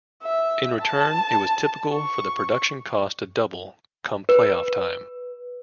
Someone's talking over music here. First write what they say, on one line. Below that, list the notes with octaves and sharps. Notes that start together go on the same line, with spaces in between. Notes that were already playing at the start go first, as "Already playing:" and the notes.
In return, it was typical for the production cost to double come playoff time.
E5
A5
C#6
B4